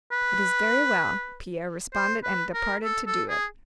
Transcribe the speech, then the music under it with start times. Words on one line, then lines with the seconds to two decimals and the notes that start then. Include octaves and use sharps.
"It is very well," Pierre responded; and departed to do it.
0.12 B4
1.94 C5
2.24 B4
2.54 A#4
2.84 A4
3.07 A4
3.29 G#4